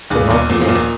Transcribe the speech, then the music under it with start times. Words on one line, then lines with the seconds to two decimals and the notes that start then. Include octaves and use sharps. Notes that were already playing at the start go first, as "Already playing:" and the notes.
But not for long.
0.10 D#2 C#3
0.30 D#2 D#3
0.49 A#2 F3
0.61 F3
0.68 A#2
0.75 D#3